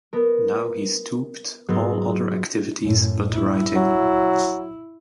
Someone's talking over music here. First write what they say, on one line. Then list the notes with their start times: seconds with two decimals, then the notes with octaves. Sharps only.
Now he stooped all other activities but writing.
0.13 B3 A#4
1.68 G#2 F#3 B3 C4
2.84 F#2 A2
3.33 E4
3.75 F#3